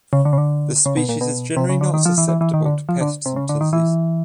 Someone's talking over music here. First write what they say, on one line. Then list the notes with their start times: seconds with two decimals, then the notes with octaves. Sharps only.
This species is generally not susceptible to pests and diseases.
0.13 C#3
0.25 D3
0.33 C#3
0.38 D3
0.86 C#3
0.97 B2
1.09 A#2
1.21 B2
1.57 C3
1.69 C#3
1.81 D3
1.94 D#3
2.05 F3
2.18 E3
2.29 E3
2.41 E3
2.54 D#3
2.65 D3
2.89 F3
3.01 D3
3.26 C3
3.36 C#3
3.49 D3
3.61 D#3
3.73 E3